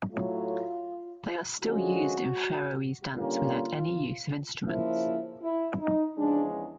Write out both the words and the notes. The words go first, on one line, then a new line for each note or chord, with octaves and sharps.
They are still used in Faroese dance without any use of instruments.
A2 F#3 A3 F4
D3 F3 G#3 C#4 F#4
D3 G3 A#3 C#4 F4
C#3 F3 A#3 E4
E4
D#4
E2 C#3 F3 G#3 D4